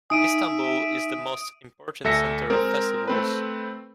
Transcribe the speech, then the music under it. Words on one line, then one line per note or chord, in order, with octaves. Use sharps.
Istanbul is the most important center of festivals.
D#4 E5 G#5 D#6 D7 D#7
D2 A4 E5 A#6 C#7
G#3 C4 A#4
A3 C4 B4